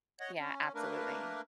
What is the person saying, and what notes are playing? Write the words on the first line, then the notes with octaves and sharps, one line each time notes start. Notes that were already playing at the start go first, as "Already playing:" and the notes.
Yeah, absolutely.
C#5 D#5 F#5
C#4
A3 A#3 D4 A#4 B4